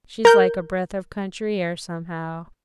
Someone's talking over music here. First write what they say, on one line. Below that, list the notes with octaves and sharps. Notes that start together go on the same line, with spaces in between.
She's like a breath of country air, somehow.
A#4 G6